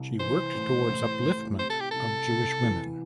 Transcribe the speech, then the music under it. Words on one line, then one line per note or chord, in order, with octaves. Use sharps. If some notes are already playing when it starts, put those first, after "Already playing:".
She worked towards upliftment of Jewish women.
Already playing: C2
E3 C5
A2
A2
A2
C3 C5
A4
G4
C2 A4
C2
E3